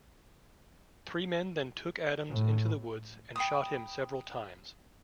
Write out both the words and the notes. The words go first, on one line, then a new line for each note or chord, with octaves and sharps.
Three men then took Adams into the woods and shot him several times.
A2
G5 B5 D#6